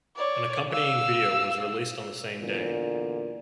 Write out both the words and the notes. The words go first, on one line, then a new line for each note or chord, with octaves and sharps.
An accompanying video was released on the same day.
C#5 D5
F5 E6
E2 A#2 D3